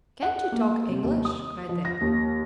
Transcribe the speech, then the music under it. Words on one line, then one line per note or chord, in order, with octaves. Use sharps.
"Can't you talk English?" cried Dick.
F#5
A#3
C3
D#2
D#6
F3
A#6
D#2